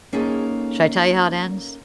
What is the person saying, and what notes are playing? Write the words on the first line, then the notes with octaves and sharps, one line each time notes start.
should I tell you how it ends?
A#3 C#4 D#4 G#4 A4